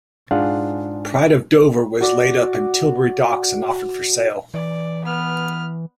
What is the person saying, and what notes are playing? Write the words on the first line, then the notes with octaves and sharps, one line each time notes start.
"Pride of Dover" was laid up in Tilbury Docks and offered for sale.
G#2 D4 F4 G#4 F5 F#5
F#4 D5
E3 D5
B3 F6